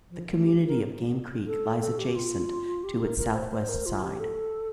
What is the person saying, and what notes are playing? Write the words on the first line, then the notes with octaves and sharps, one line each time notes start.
The community of Game Creek lies adjacent to its southwest side.
F3
A3
G4
A#4
A4
A4
G4
F4
G4
A#4
A#4
C5
C5
A#4
F4
G4
A4